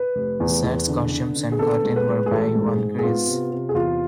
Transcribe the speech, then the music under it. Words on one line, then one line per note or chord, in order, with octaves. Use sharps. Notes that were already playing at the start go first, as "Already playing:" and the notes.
The sets, costumes, and curtain were by Juan Gris.
Already playing: B4
F1
E2
E2
D3
D3
D3
G#4
B3 A4
G#3
B4
G#3
G#4
A1 A4
G#2
G#4
G#2
G#4
B3 F4
C3
C3
G#4
E2 F4